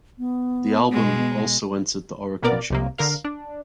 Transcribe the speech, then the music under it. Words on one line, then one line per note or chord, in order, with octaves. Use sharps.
The album also entered the Oricon charts.
B3
B2 G#3
A1 B2 A#3 B3 A#4 D5
C2 C3 A#3
D3 A#4 F5
D4